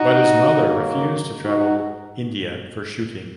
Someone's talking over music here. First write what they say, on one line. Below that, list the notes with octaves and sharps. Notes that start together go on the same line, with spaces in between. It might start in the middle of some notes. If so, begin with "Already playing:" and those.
But his mother refused to travel India for shooting.
Already playing: D#4 F#4
D#3 F#3 A#3
D#4 F#4